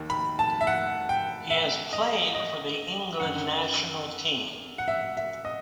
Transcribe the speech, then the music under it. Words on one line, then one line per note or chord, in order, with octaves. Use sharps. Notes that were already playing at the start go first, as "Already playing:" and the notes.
He has played for the England national team.
Already playing: D#2 D#3
B5
A5
E5
F#5
G5
E5
D#5
D#5
F#2 D#3 F#5
F#5
E5
E5
D#5